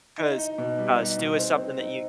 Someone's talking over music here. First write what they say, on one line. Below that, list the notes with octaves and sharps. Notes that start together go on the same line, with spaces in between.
'cause, uh, stew is something that you
D#4
D#4
B2
G3
D#4
B2
C4
C4
D#4